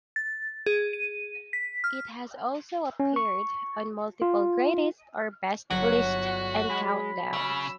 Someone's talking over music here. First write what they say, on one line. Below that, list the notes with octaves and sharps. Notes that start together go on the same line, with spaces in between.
It has also appeared on multiple "greatest" or "best" lists and countdowns.
A6
G#4
D#7
B6
F6
C#4
C#6
F4
G1 F#3 F#4 F#5 B6
G#3 B5
C#3 E6